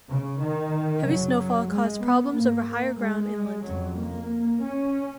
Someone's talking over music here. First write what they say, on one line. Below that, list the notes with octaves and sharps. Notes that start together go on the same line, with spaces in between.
Heavy snowfall caused problems over higher ground inland.
C#3
D#3
F#2 C#3 F#3
G#3
B3
G#2 A#3
A#3
G#3
F2 C#3 F#3
A#3
C#4